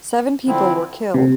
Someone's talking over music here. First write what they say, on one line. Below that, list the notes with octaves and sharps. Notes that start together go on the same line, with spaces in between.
Seven people were killed.
D3 F3 C4 E4
C3